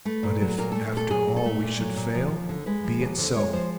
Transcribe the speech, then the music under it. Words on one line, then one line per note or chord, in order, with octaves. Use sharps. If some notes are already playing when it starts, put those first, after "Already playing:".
But if after all we should fail, be it so.
A3 B4
A#2
F#3
A#2 A#4
A3 A4
A#2 A4
F#3 G#4
A#2
A4
A3
A#2
F#3
A#2
F3
D#2
D3
G#3 B4
F3
D#2
D3 C5
G#3 C#5
F3 C5